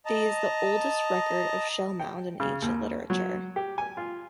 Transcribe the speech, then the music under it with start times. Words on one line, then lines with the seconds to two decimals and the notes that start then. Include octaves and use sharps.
The is the oldest record of shell mound in ancient literature.
0.06 D#5 A5 A#5
2.00 G5
2.40 C#3
2.62 D#2
3.10 F#3
3.56 G4
3.78 G#5
3.97 F4